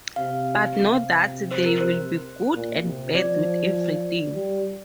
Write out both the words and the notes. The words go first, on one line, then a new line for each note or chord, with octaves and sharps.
But know that there will be good and bad with everything.
C3 F5
C3
C5
A#4
C5
A#2
C3
F3 D5
G3